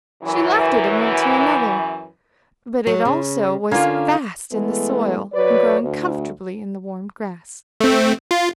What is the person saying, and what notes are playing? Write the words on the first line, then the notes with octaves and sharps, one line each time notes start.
She left it, and went to another; but it also was fast in the soil, and growing comfortably in the warm grass.
F#2 E3
F#3
C#3
D3 A#3 C#4 F4 F5
E3 G#3 A3 B3
F#3 B4 C#5 D5
D2
A3 C4
F4